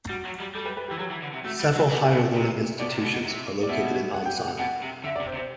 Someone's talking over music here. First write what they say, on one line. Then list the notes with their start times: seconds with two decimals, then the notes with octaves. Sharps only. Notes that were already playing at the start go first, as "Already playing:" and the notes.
Several higher learning institutions are located in Ansan.
0.09 G3 F#4
0.25 F#3
0.40 G3
0.54 G3 A4
0.65 B4
0.77 B4
0.88 G4
0.91 E3
0.99 F#3 G4
1.10 E3
1.22 D3
1.33 C3
1.44 A3 F#4
1.59 G3
1.74 F#3
1.89 B2 G4
2.00 G4
2.12 B2 A4
2.23 A4
2.34 C3
2.80 B2 D5
2.91 C3
3.01 B2
3.13 B2
3.25 C3
3.63 D5
3.69 B2 E5
4.14 F#5
4.26 G5
4.37 F#5
4.48 F#5
4.59 B2 F#5
4.82 C3
5.04 D3 E5
5.16 D5
5.20 C3
5.27 C5
5.34 C3
5.38 C5